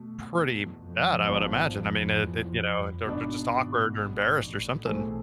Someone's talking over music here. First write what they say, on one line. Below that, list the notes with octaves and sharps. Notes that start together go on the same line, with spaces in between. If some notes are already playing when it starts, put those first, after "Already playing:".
pretty bad, I would imagine, I mean, it it, you know, they're they're just awkward, or embarrassed, or something.
Already playing: B2 A3
E2
F2
G#1 G#2 F3 B3 F4 B4 D5
F2
E2
F2
F2
G#1 G#2 B2 B3 D4
G#1 G#2
G#1 G#2
A1 A2
B1 B2 E3 A3 C4 G#4